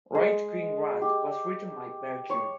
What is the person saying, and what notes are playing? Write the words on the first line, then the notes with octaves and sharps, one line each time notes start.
"Great King Rat" was written by Mercury.
G#3
G4
C#5